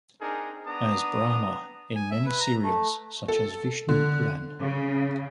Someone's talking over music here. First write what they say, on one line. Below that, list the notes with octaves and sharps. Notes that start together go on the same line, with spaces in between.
As Brahma in many serials, such as Vishnu Puran.
C4 D4 D#4 G#4 A#4
B3 D4 A#5 D#6
G#5
E5
B4
A#5
A3
A4
D3
C#3